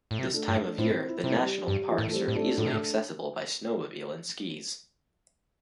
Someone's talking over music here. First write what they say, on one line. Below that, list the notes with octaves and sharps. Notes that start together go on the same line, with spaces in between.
This time of year the national parks are easily accessible by snowmobile and skis.
A2
C3
A3 D4
G2
A3 D4
A2 C4 E4
E4
C3 C4 E4
G3
G2 G3
E3 A3
A2
A3
G3 C4
A2
A3 D4
A2 A3 D4
C3
A2